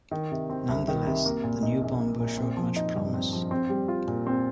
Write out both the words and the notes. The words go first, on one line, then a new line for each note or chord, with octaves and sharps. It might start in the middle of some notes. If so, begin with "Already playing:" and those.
Nonetheless, the new bomber showed much promise.
D#3
C3
C4
C2
D#3
C3
A#3
A#2
D#4
A#1
A#3
A#2
C4
F3
D#4
G2
C4
F3
C4
G3
F4
A#2
C4